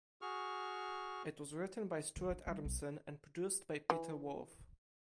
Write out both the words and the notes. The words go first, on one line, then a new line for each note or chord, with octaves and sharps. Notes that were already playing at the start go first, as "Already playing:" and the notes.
It was written by Stuart Adamson and produced by Peter Wolf.
F#4 G#4 C#6 F6
D#3
D4
G3
B1
E3